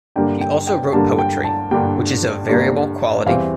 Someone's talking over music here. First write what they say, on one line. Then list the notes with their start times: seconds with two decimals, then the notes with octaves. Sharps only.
He also wrote poetry, which is of variable quality.
0.16 G2 D3 G3 A#3 G5
0.41 G5
0.67 G5
0.93 G2 D3 G3 A#3 A5
1.19 G5
1.44 A5
1.71 G2 D3 G3 A#3 G5
2.49 G2 D3 G3 A#3
3.26 E2 E3 G3 C4 F5